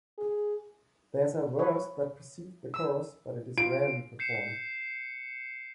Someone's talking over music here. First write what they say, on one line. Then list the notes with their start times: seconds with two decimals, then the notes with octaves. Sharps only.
There is a verse that precedes the chorus, but it is rarely performed.
0.18 G#4
1.59 B4 C#5
2.74 E6
3.58 F4 D7
4.19 G6 C7 C#7 E7